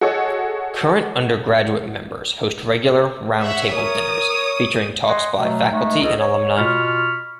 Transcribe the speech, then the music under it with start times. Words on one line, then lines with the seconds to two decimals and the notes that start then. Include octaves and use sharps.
Current undergraduate members host regular "Roundtable Dinners" featuring talks by faculty and alumni.
0.01 F#4 G#4 A4 C#5 D#5
3.41 C#5 E5 F#5
3.72 A#4 C#5 D#6
5.08 D#5 F#5 G#5 C6
5.37 B2 F#3 A3
5.70 G#3 A3 D#4
6.02 C#2 C#3 C#4 G#4 A4 D#5
6.19 C#5
6.56 B2 F4 B5 C#6 F6